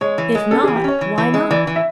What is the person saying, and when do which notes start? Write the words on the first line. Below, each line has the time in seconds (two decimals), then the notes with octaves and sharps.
If not, why not?
0.01 G#3 C#5
0.18 E3
0.35 G#3
0.51 C#4 A4
0.63 G#4
0.68 E3
0.76 G4
0.84 C#4 C#5
1.01 E3
1.18 E3
1.34 G#3
1.51 E3 D5
1.67 E3
1.76 E5